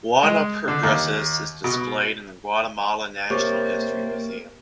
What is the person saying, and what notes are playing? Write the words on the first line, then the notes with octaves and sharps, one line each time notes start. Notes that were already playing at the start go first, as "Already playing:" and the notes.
One of her dresses is displayed in the Guatemalan National History Museum.
G#3
D3
D#2
B2
C3 A#3 G4 C#5 C#6 A6